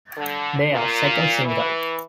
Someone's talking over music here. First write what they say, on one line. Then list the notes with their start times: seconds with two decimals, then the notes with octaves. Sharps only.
Their second single.
0.16 D3
0.71 A#2
1.44 E3